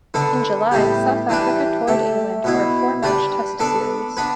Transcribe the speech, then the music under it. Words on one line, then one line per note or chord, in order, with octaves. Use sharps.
In July South Africa toured England for a four-match Test series.
D3 B3 D4 A4
A2 G3 B3 G4
E3 G3 D4 G4 B4
A3 G4 E5
B2 B3 E4
G3 D4 B4 D5
B3 D4 A4 D5
B3 D4 B4